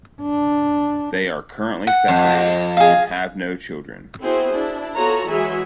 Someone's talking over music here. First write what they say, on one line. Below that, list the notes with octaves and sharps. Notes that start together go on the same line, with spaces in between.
They are currently separated, and have no children.
D4
F#5
F2
G#4 F5
B3 C4 E4 F#4 G#4 C5
D4 E4
B3 F4 F#4 A4 C#5 A#5
E3 F#3 G#3 G#4 E5 G#5